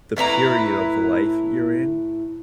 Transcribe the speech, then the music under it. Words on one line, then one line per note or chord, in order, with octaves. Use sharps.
the period of life you're in.
A2 E4 B4 A#5